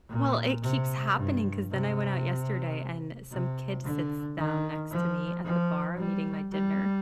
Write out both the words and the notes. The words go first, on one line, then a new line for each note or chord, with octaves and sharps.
well, it keeps happening 'cause then I went out yesterday, and some kid sits down next to me at the bar, I'm eating my dinner,
A#2
C3
G2
C3
C3
D3
D#3
F3
F3
G3
G3